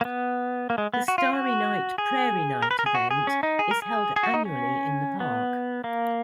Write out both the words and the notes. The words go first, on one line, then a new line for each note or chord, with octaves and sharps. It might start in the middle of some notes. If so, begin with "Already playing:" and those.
The Starry Night, Prairie Night event is held annually in the park.
A#3
B3
A#3
G#3
B3
F#4
F4
F#4
G#4
A#4
B4
A#4
G#4
F#4
G#4
C#4
D#4
G#4
A#4
G#4
G#4
F#4
D#4
C#4
B3
A#3